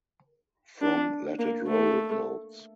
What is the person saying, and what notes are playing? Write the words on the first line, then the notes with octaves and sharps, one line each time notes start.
From "Let It Roll" notes.
D4
A#3
A3